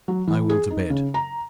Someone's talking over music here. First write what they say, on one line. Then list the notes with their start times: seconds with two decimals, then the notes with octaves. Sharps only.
I will to bed.
0.08 F#3
0.27 E3
0.50 G#4
0.70 D#4
0.90 C#3
1.14 A#5